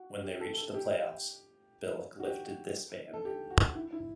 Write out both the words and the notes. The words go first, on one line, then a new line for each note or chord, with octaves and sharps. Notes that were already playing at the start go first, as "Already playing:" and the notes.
When they reached the playoffs, Billick lifted this ban.
Already playing: F#4
G4
A4
A4
G4
F#4
G4
A4
G4
F#4
E4
E4